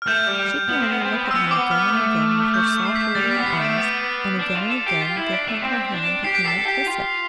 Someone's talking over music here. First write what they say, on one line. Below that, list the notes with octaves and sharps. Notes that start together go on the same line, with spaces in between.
She could only look at him again and again with her soft, radiant eyes, and again and again give him her hand that he might kiss it.
F6
A3 G6
G3
B3
C4
B3
C4
B3
C4
B3 E6
C4 D6
B3
F6
A3
G6
C7
B6
G3 A6
B6
B3
B6
C7
A3 D7
B3 C7
D4
F4
A4
G4 C7
F4 B6
E4
D4
A3
C4
D4
G4 C7
B6
A4 C7
G4
F4